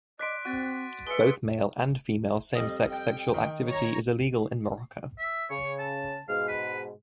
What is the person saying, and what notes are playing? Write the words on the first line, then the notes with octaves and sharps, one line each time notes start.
Both male and female same-sex sexual activity is illegal in Morocco.
D5 D#5 C6 F#6 B6 D7
C4 F#4 A6 D#7
G#3 B4 E5 C#7 G7
F2 G3 D#5
G5
D#3
C#5 A#5
E5
C#3 C#5
A5
G#2 B2 G#3 F5
B4